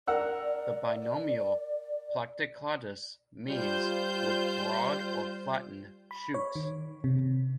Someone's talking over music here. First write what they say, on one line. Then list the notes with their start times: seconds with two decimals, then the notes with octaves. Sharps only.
The binomial "Platycladus" means "with broad or flattened shoots".
0.07 A#4 D5 F#5 E6
3.48 G3 F4 C5 G6
6.11 B5
6.34 C#5
6.56 D#3
7.04 C3